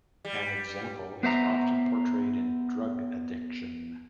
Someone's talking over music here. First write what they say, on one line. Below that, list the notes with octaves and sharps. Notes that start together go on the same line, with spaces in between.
An example is often portrayed in drug addiction.
G3
B3 C5 E5 A#5